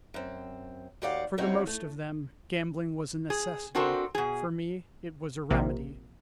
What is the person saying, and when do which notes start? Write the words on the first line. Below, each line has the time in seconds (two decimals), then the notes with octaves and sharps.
For the most of them, gambling was a necessity; for me, it was a remedy.
0.14 F#2 C4
1.02 D#2 F#4 G4 D5 F5 F#5
1.38 C4 C#4 D#4 E4 F#4 C#5
1.67 A3
3.30 G#4
3.75 C4 D4 F#4 A4 A#4 C5
4.15 B2 G#4
5.50 A#1 C3 A#3